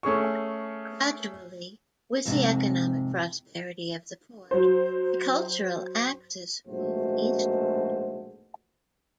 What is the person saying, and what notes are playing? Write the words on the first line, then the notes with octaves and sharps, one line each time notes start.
Gradually, with the economic prosperity of the port, the cultural axis moved eastward.
A3 C#4 G#4 C#6
F2 G#2 C3
F#3 C5
A#1 G#2 B2 A3 F#4 C5